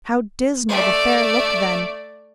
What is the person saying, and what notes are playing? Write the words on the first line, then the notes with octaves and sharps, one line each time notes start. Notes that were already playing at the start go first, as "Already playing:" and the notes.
How dismal the fair looked then!
A3 D5